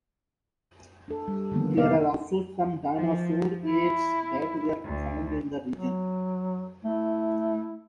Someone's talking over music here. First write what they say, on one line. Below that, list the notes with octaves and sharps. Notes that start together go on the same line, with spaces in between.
There are also some dinosaur eggs that were found in the region.
D4 A4
G3
D3 D#3 F3 A#3 B3
C3 A#3 B3 E4 D5 F5
F3
E4
D2
F#3
A3 E4